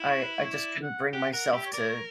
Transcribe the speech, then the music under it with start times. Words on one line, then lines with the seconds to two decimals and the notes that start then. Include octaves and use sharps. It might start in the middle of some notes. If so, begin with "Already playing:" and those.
I I just couldn't bring myself to
Already playing: E4
0.08 C#5
0.22 B4
0.38 C#5
0.53 D5
0.83 F#5
1.13 G4 F#5
1.33 A#4 F#5
1.53 G4 E5
1.66 C#5
1.73 A#4 D5
1.89 C#5